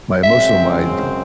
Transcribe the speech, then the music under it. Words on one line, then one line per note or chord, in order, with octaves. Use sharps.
my emotional mind
F#2 C#3 G#3 C4 E5